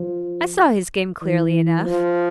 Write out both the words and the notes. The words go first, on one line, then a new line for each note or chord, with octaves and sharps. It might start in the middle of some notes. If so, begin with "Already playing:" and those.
I saw his game clearly enough.
Already playing: F3
E3
F3